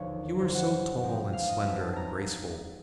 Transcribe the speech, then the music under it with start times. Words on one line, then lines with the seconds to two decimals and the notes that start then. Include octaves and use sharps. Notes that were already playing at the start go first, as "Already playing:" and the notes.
You are so tall and slender and graceful.
Already playing: E1 D#2 D3 F3 C#5
0.38 F#1 F#2 D3 G3 C5
0.54 F#5
1.02 G#2 F3 G#3 C4
1.33 F5
1.49 D#5
1.64 B1 B2 G#3 C4 D#4 E5
1.81 A5
1.96 A#5